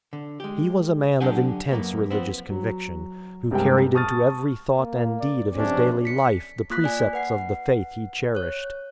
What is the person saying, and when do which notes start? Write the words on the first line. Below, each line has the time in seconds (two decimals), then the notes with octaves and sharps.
He was a man of intense religious conviction, who carried into every thought and deed of his daily life the precepts of the faith he cherished.
0.13 D3
0.40 G#3 G4
1.21 D3 F#3 D4 G4 F#5 G#5
1.71 F#2 A#2 A#3 B3
2.10 F3 B3 C4
2.50 F#3
3.51 G2 C3 G3 G#3 A#3 G5
3.94 A5 C#6 D#6 F6 A6
4.78 A#3
5.20 D5
5.57 F2 C3 C#4 D4
6.05 B6 C#7
6.70 A#3 F4 F#6 B6
6.84 D5 G#5
7.13 B4 F#5 C7
8.35 C#5 F#6